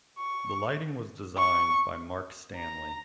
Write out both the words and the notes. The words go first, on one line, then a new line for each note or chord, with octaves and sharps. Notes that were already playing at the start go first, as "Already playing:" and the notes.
The lighting was designed by Mark Stanley.
C#6
C#6
A#5